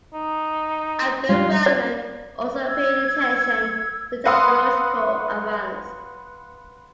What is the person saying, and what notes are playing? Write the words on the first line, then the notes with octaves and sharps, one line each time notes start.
Abdur Rahman also paid attention to technological advance.
D#4
G3 F4
D5
E6 G#6
B4 F5 F#5 C6 D#6 E6